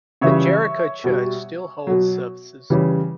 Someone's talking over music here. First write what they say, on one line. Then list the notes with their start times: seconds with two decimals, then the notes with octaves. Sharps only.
The Jerico church still holds services.
0.21 C#3 E3 G3 C#5 E5
1.04 B2 G3
1.87 B2 F#3
2.70 C#3 E3 G3